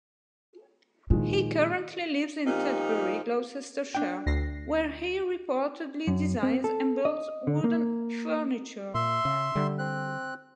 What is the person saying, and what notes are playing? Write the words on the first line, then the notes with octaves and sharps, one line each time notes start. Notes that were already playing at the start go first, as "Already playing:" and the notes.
He currently lives in Tetbury, Gloucestershire, where he reportedly designs and builds wooden furniture.
A#2 D#3 F3 G#3
A#2 F3 D#4 G4
D4 G5
D2 A#6 C7
F#2
C4
A4
D#5
D3
A#3
A#2 E5 C6
C#3
D3 G3
C4 F#6